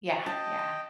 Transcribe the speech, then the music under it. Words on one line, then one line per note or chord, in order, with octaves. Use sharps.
Yeah, yeah.
D#5 G5 A5